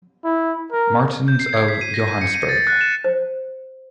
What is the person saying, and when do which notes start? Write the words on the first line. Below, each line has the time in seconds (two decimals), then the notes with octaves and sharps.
Martins of Johannesburg.
0.24 E4
0.72 A#4
1.28 G6
1.40 C7
1.53 G#6
1.69 B6
1.81 D#7
1.94 A#6
2.08 D#7
2.21 C#7
2.35 D#7
2.49 A6
2.67 F#6
2.81 E7
3.04 C5